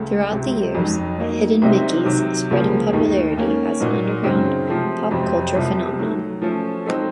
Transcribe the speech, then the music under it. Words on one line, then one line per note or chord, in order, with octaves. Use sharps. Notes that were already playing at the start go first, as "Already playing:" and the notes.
Throughout the years, Hidden Mickeys spread in popularity as an underground, pop culture phenomenon.
Already playing: C#2 C#3 A3
C#2 C3 F#3
F2 D#3 F#3
F#3 A#3 D#4
C2 C3 F#3 C4 D#4
C3 D#3 F#3
C#2 C#3 F3 A#3
D#2 D#3 A3 D#4
D#3 A#3 C#4
A#2 F#3 A#3 D#4 F#4
F#2 C#3 F#3 C4 D#4
C3 F3 A3 C4
F2 C3 F#3 C4
C2 C3 F3
D#3 F#3 A3
F3 A3 C#4 A4
F#3 C4 D#4 A4